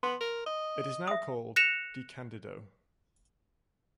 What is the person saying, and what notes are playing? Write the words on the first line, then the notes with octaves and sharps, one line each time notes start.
It is now called "De Candido".
B3 C6
A#4
D#5
E5 D#6
F#6 A#6 C#7 E7 F7